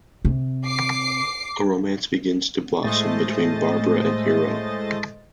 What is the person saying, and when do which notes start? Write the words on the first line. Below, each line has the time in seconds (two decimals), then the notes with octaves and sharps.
A romance begins to blossom between Barbara and Hero.
0.25 C3
0.65 D6 C7
2.83 A2 G#3 A3 C5 D#5 A6